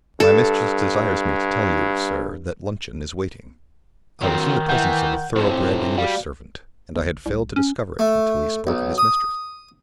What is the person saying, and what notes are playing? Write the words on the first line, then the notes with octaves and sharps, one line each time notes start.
"My mistress desires me to tell you, sir, that luncheon is waiting." I was in the presence of a thoroughbred English servant--and I had failed to discover it until he spoke of his mistress!
G2 A4
D#3 F#3 C4
E3 F#5 G6
F2 A2 C3 C5
G3 F#4 D5 F5
G1
C2
C#4
A3
B1
D#6